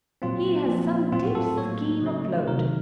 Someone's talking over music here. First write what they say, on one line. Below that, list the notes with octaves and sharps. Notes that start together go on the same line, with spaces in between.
He has some deep scheme afloat.
A#2 F#3 C4 F4
A#2 F3 C4
A2 F#3 C4 F4
F#4
A4
A2 F#3 A#3 C#5
C#3 F#3 A3 C#4
C3 D#3 F#3 A#4